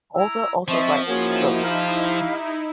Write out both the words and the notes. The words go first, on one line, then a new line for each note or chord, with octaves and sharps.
Author also writes prose.
E4 A#5 E6
F3 C4 D#5 E5 C#6
A#3 C#4 D#4 E4 F#4 G#4
G4 F5